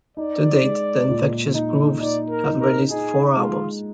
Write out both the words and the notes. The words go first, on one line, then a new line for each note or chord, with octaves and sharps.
To date, the Infectious Grooves have released four albums.
D#4 D5
G#3
A#2
D#4
D#4 D5
A#4
D#4
A#4
D#4 G#4
G#3 F4